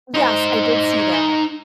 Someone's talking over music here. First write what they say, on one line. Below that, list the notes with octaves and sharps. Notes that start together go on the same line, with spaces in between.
Yes. I did see that
D#4 C5